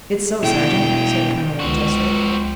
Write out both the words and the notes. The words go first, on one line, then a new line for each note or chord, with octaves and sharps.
"It's so, sergeant," said Colonel Winchester.
B2 E4 G5
C#2 C4 F#4